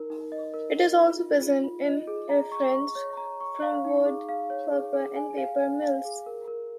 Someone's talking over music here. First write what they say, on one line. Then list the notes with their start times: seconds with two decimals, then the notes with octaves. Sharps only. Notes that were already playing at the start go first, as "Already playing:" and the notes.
It is also present in effluents from wood pulp and paper mills.
Already playing: D#4 A#4
0.10 D#4
0.32 D#5
0.54 A#4
0.76 D#4
0.97 F4
1.19 F4
1.41 F4
1.64 F4
1.86 D#5
2.07 G#4
2.29 A#5
2.52 C#6
2.74 C#6
2.95 C#5
3.17 A#5
3.40 C#6
3.62 F5
3.85 D#4
4.05 G#4
4.29 F5
4.50 C#5
4.72 G#4
4.93 G#4
5.16 G#5
5.38 F5
5.60 G#5
5.82 F5
6.05 G#4
6.26 A#4
6.48 A#4